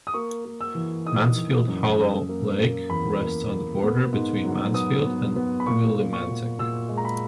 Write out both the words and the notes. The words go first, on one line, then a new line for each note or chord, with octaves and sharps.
Mansfield Hollow Lake rests on the border between Mansfield and Willimantic.
D#6
A#3 C#6
A#3
E6
E3
D#4 D#6
E3
F#2
C#4
A#3
A#3
E2 B5
A#3
A#3
B3
G#2
F#3
B3 D#6
B3
B3
B5
A#2 C#6
A#2
C#6
A#2
A#2 E6
G#3
A#5
B5